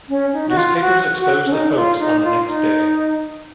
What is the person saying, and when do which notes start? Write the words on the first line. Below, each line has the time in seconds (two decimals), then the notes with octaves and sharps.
Newspapers exposed the hoax on the next day.
0.09 C#4
0.33 D#4
0.49 F#4
0.57 F4
0.81 F#4
1.20 F#4
1.46 C#4
1.52 D#4
1.75 F4
2.00 D#4
2.24 F4
2.47 D#4